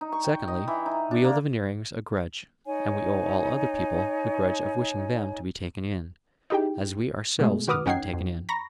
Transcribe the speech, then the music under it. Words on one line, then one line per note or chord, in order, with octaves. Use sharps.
Secondly, we owe the Veneerings a grudge, and we owe all other people the grudge of wishing them to be taken in, as we ourselves have been taken in.
D#4
C#6
G5
D#5
E3
D#4
D4
A#3
D#4 C#5 G#5
D#4 E4 G4 G#4 G5
B2 G#3 A3 G#4
D#3 F#4 B4 D6 D#6 F6
C#4 D#4 F#5 G5 G#6 C7
F2
A#5 B5 C#6 A#6